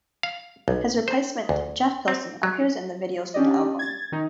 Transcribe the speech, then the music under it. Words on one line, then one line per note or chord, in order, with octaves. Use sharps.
His replacement, Jeff Pilson, appears in the videos from the album.
F5
B1
C5
D2
C4
F#3
C#4 D4 G4 D5 D#5
G#6 A6
D#3 D#4